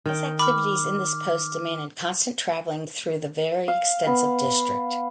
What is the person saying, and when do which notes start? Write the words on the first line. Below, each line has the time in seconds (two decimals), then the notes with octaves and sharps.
His activities in this post demanded constant travelling through the very extensive district.
0.06 D#3 G5
0.39 B5 D6 F6
3.68 F5
4.07 B3